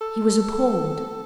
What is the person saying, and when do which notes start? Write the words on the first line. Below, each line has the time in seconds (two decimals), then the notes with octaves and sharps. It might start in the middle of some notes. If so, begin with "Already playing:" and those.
He was appalled.
0.01 A4